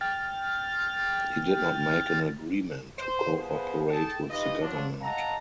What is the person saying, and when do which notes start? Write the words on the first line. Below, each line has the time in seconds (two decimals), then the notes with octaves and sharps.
He did not make an agreement to cooperate with the government.
0.01 G5 F6 A6
2.99 C5
3.37 C2 F3 B3 G#4 B4 C5
3.90 G#4 A4 G5 A5
4.30 E3 D#4 F4 G4 B4 D#5
4.61 F3 F#3 D4
5.01 A4 D#5 F5 F#5 A5 A#5